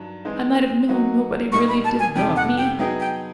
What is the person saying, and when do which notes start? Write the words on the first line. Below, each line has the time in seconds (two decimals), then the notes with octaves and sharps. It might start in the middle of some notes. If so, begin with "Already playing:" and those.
I might have known nobody really did want me.
Already playing: G2 D#3 F#3 D4
0.25 E3 G#3 C4 D#4
0.89 F#3 A#3 D#4 F#4
1.52 A#2 G3 A#3 D#4 C#6
1.68 B5
1.84 A5
2.00 G#5
2.16 F2 C3 D#3 G3 G5
2.36 F#5
2.57 G5
2.79 F#3 B3 D#4 G#4 G5
3.00 G5